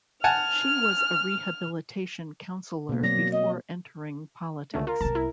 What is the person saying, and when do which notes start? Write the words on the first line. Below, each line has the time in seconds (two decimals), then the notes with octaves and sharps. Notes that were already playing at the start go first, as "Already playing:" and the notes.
She was a rehabilitation counsellor before entering politics.
0.24 F#5 G#5 A5 F6
2.89 B2 A#3
3.03 F#3 C4 D5 A#6
3.16 F#3
3.32 D#5
4.74 C#2 D3 A3 C#4
4.87 F4 A#4
5.01 C2 B3 A5
5.15 E4